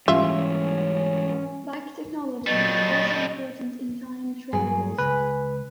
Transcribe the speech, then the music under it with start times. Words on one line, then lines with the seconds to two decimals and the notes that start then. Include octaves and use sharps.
Bike technology is also important in time trials.
0.08 G#2 E3 G3 C#4 F4 E5
2.47 A#2 F#3 G3 A3 D#5 A6
4.53 G2 F#3 G#4
4.98 C#2 B4